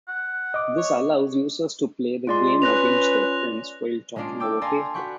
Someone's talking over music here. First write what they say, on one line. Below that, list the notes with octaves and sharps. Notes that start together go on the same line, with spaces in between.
This allows users to play the game against their friends while talking over Facebook.
F#5
D#5 D6
C#5
G#3 F4 D5 C6
C#4 B4 F#6 A#6 F7
G#3 A#3 C#4 D4 F4 D7
G5 D6 E6
A4 D5 F5 G#5 A#5 C6
F#4 B4 F#5 G5 C#6